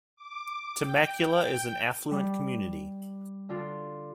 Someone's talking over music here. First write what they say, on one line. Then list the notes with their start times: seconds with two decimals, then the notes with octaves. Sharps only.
Temecula is an affluent community.
0.16 D6
0.77 G5
2.11 G3
3.49 D3 D4 F4